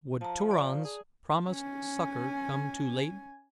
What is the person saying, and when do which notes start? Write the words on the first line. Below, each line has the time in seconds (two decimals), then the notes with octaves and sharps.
Would Turan's promised succor come too late?
0.21 F3 A5 A#5
0.51 D5 A#5
0.85 G#4
1.50 C#4 G#5